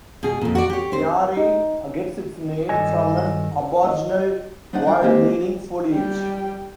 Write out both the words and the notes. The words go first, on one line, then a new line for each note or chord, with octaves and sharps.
Myaree gets its name from an Aboriginal word meaning foliage.
B2 G#4
F2 A#2
F#4 D5
G4 C#5
C4 C5
D#4
G2 D#3 A4 D#5 G#5
D#5
D4 D#4 C5 D5 F#5
F4 D5 F#5 G5
G#3 A#3 C4 G4 C5 G#5
G3 G5